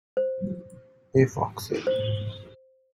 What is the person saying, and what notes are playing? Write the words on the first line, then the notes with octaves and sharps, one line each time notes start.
Hey Foxy!
C5
C5